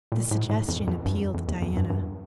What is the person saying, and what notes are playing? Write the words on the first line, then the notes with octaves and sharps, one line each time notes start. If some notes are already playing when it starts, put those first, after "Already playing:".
The suggestion appealed to Diana.
A#2
A2
A2
F2
F2
G2
F2
F#2
F2
E2
F2
G2
G2